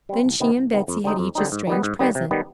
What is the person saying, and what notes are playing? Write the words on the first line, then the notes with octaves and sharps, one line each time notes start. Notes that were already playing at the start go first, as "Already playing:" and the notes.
Then she and Betsey had each a strange present.
G3 C4
C2
C3 D#3 B3
C2
C3 D#3 B3
F2
D3 G3 C4 D#4
F2
D3 G3 C4 D#4
G#2
D#3 G3 B3
G#2
D#3 G3 B3
C3
D#3 G3 B3